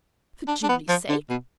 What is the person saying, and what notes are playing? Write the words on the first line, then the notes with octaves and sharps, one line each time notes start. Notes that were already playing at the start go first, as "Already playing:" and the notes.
"For Julie's sake!"
D4
D4
B3
F3
D3
B2